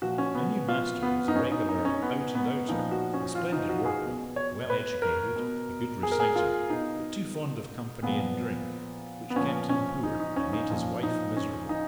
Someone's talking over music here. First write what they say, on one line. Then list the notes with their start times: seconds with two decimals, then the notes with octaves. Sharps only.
My new master was a regular "out and outer" a splendid workman, well educated, a good reciter, but too fond of company and drink, which kept him poor, and made his wife miserable.
0.02 A#2 F3 F#4
0.18 C#4
0.35 B3
0.68 F4
1.02 B3
1.28 D#4
1.35 B2 C#4
1.52 D#4
1.69 D#4
1.85 C#4
2.02 B3
2.35 B3
2.68 A#2 F3 D#4
2.91 F#4
3.14 C#4
3.35 F4
3.52 D#4
3.69 F#4
3.85 G#4
4.03 B2
4.36 C#5
4.70 B4
5.02 A#4
5.36 B2
6.03 G#4
6.12 A#4
6.20 G#4
6.36 F4
6.69 B2 D#4
8.03 A#2 F3 B3
9.30 B3
9.36 A#2 F3 C#4
9.69 C#4
10.03 D#4
10.20 D#4
10.36 C#4
10.53 D#4
10.70 A#2 F3
11.03 D#4
11.37 C#4
11.69 D#4